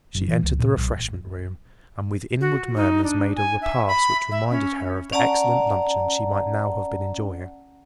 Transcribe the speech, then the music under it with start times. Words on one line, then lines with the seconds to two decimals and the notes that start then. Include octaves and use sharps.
She entered the refreshment room, and with inward murmurs made a repast which reminded her of the excellent luncheon she might now have been enjoying.
0.15 F#1
0.28 E3
0.43 C#2
0.59 A#2
0.77 B1
2.41 F#4
2.76 D#4
3.04 D4
3.36 G#5
3.62 E5
3.87 B5
4.31 E5
4.51 C#4
5.12 C#4 D5 F#5 A5 A#5